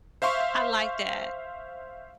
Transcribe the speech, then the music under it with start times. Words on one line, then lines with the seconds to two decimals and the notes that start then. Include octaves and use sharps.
I like that.
0.22 C5 E5 F5 C6 C#6